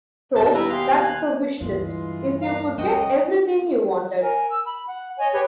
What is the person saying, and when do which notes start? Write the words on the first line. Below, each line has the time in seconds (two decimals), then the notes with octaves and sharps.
So, that's the wish list, if you could get everything you wanted.
0.36 D#2 B2 A5
0.54 G3 E4 B4 E5 A#5
0.70 G4 G#4 F5 C6
1.02 G#5 F#6
1.61 D2 G2 E3 G#3 F4
2.42 A#4 F5
2.78 C#2 F#2 G#3 F#4 C5 D#5 G5
4.21 A#4 G#5
4.50 E6
4.65 B5
4.87 F#5
5.18 C#5 D#5 G#5
5.32 G4 G#4 B4 C#5